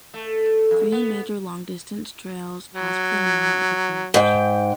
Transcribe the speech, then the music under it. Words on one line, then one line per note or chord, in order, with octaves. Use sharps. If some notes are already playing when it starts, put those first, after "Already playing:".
Three major long-distance trails pass within a mile of the village.
A3
F2
B3
F#3
G#2 G5